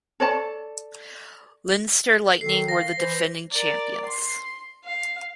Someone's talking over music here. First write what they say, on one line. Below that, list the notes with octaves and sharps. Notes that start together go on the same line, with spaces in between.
Leinster Lightning were the defending champions.
A4 C#5 D5 A5
D#3 A4 C7
F5 A#6
E3 C5
A#4 D5
C6
F5